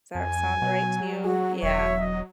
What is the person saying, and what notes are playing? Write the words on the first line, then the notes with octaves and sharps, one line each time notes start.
Does that sound right to you? Yeah.
F2 G#5
B2 F#3
F#4 G#4
E1 C#5 E5
D#5